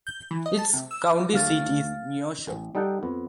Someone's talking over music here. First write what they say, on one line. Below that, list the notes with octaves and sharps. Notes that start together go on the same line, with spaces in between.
Its county seat is Neosho.
G6
E3
D#5
A5
C3
E6
D2 A3 F5 F6 A6
A1
G3 D#4 A4 F#5 G5
F2 B3